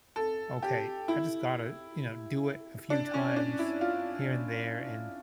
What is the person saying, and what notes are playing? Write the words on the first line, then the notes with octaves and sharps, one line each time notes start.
"Okay, I just gotta," you know, "do it a few times here and there and,"
A4
G4
E4
D4
C#4
D4
E4
F4